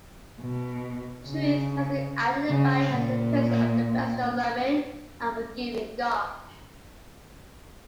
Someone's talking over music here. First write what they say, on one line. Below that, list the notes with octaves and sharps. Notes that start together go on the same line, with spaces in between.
"Truth" has been identified as the presence of a personal, loving, and forgiving God.
B2
C#3
C#3
A#2